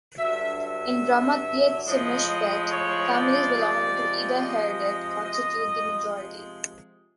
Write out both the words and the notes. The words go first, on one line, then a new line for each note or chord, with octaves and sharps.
In "Ramat Beit Shemesh Bet", families belonging to Eda Haredit constitute the majority.
G2 D3 F#3 E5
E5
A2 F3 G#3 D#5
C#5
D5
C3 F3 G#3
D#5
C3 F3 G#3 D#5